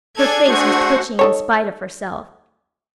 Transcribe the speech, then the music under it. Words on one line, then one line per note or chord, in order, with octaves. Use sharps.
Her face was twitching in spite of herself.
D4 G#4 A4 G#6
A3 F#4 C5 F#5
D#4 A4 C#5